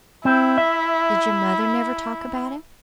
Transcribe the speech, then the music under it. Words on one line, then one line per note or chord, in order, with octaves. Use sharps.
"Did your mother never talk about him?"
C4 E4
E5